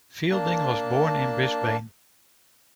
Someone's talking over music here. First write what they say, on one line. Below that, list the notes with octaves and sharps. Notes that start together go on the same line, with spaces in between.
Fielding was born in Brisbane.
A#3 D4 A5